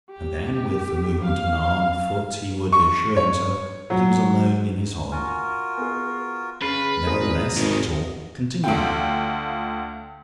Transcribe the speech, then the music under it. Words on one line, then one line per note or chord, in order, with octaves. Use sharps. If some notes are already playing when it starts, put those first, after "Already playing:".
And then, with the movement of an arm, a foot, he would assure himself that he was alone in his holland. Nevertheless, the talk continued.
G4
F5
C#6
C#5
F#3
F4 F#4 A#4 G#5
B3 G#4
C#3 B4 F6 A6 C7
G#1 G#4 C5 D5 A#5 D#6
G#1 D2 G#2
D2 F4 G5